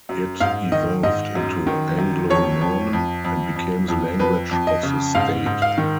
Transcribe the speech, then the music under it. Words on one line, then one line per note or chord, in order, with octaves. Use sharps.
It evolved into Anglo-Norman and became the language of the state.
F#2
G#2 F5
D#3 D#5
G#2 D#5
F#2
D#3
F#2
F2 C#5
F2
F2
F2
F2
F2
F2 B4
F2
D#5
C#3
G#2 F5
G#2
F5
D#3